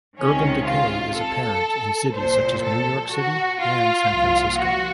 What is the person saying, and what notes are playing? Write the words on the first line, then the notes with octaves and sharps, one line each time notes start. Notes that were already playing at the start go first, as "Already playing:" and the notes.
Urban decay is apparent in cities such as New York City and San Francisco.
C#2 C3 D#3 C#4
F4
A4
C2 A#2 F3 C5
A4
F#4
F4
C2 A#2 F3
F#4